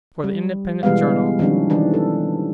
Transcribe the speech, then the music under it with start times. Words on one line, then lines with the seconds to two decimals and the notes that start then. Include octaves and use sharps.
For the Independent Journal.
0.24 G3
0.83 B2 E3 G3 G#3 B3 F5
1.39 D#3 F3 G3 C#4 D4
1.70 D#3 E3 D4
1.94 A4